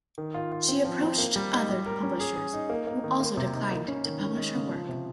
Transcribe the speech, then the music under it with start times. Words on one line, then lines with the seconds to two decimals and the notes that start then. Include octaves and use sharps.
She approached other publishers, who also declined to publish her work.
0.18 D#3
0.34 F4
0.52 F4
0.68 C4
0.85 F3
1.02 C4
1.18 A#3
1.36 G3
1.52 D#4
1.69 G3
1.86 A#4
2.03 C#4
2.20 G#4
2.36 G#4
2.53 D#4
2.70 A#3
2.87 A#3
3.04 D#3
3.20 A#3
3.37 C3
3.54 D#4
3.71 A#3
3.88 C#4
4.05 D#3
4.21 C#4
4.38 G#3
4.55 C#3
4.71 F3
4.89 C3